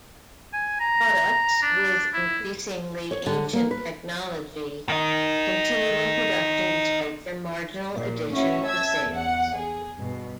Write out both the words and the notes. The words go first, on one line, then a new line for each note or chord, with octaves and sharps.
Products with increasingly ancient technology continued in production despite their marginal addition to sales.
G#5
A#5
D4
E4
C#5
D3
A#3
B4
D#3 D#4
A#2
C#4 E4 F#4 C#5 E5
E5 A5 E6 G#6
E2 F#5
G#4
G2 B2